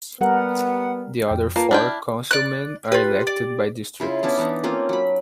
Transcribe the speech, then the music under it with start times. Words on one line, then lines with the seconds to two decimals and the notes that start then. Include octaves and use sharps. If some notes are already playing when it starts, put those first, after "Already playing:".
The other four Councilmen are elected by districts.
0.21 G3 B3 A#4 F#5
1.28 F2 G5
1.56 A#3 F4 B4 A5
1.71 D4 E4 G5 F6
2.31 D5 F#6
2.92 F4 G4 B4
3.27 D5
4.00 C#3 E4 F4
4.23 B3 C#4 D4 E4
4.38 E3 B3 D4 D#4
4.64 A#3 C4 C#4 F4
4.89 F#3 B5